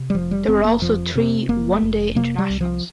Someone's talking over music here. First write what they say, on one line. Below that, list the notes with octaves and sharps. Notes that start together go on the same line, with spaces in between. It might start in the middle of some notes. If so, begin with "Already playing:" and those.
There were also three "one-day internationals".
Already playing: C3
G3
F1 F3
G3
F1 C4
A#3
F2 F3
C3
F1 A#3
F1
C3 A#3
G3
C2
F3